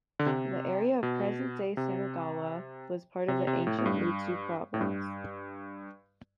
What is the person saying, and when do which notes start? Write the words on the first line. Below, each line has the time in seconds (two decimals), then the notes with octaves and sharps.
The area of present-day Samegawa was part of ancient Mutsu Province.
0.19 D3
0.26 C3
1.03 B2
1.77 C3
3.28 C3
3.47 C3
3.67 A2
3.78 A2
3.86 G2
4.74 A2
4.81 G2